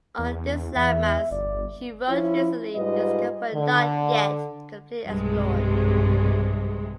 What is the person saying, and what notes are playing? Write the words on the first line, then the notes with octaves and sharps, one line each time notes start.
On this landmass he wrote "recently discovered but not yet completely explored".
E2
E2 E5
G1 D5
F3 C#4 E4
G#2 G3 F4 B4 D#5
D3
B1 G2 C3 G#3